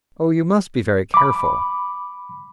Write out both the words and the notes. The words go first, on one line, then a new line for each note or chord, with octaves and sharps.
'Oh! you must be very careful.
B5 D6